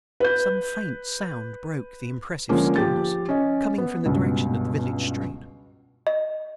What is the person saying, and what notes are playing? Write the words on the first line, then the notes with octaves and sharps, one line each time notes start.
Some faint sound broke the impressive stillness, coming from the direction of the village street.
B4 G6
D3 F3 G#3 A#3 C#4
F3 G4 A6
C#4 D#5
B3
C#2 G2 B2
D#5